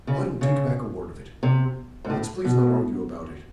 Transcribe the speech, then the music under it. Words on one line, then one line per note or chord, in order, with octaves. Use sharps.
I don't take back a word of it. Let's please not argue about it.
C#3
C#3
C3
G#2
A2
B2